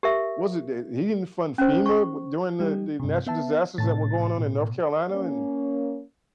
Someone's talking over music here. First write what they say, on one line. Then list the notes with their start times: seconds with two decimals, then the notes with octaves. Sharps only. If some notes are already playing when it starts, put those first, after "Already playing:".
was it that he didn't fund FEMA? W during the the natural disasters that were going on in North Carolina? And
0.03 G4 A#4 E5
1.58 C#4 C5
1.86 C#6
2.60 G3 D#4 G4
3.00 G2 C3
3.26 B3 E5 A5
3.78 A2 C3 A5 A6
4.36 B2
5.10 A#3 C#4